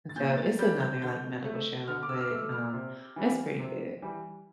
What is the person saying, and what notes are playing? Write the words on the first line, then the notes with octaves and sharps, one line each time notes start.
and so it's another, like, medical show, but, um, it's pretty good.
A6
A#2 G6
A6
G3 G6
G6
D3 G6
A3
D3 F6
D6
E6
F6
A3 E6
F6
C3
E3 G3
C3
E3 G3